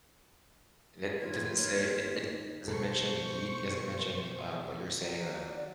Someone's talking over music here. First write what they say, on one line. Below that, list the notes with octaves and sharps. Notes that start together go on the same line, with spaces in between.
And it doesn't say it it doesn't mention heat. It doesn't mention, um, what you were saying, uh
D#2 F4 B4 C#5 G#6
B2 A4 C5 C#6
F#3 D5